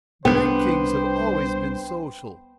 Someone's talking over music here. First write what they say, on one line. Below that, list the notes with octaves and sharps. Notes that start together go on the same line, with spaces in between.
Great Kings have always been social.
C2 G3 B3 D4 C5 G5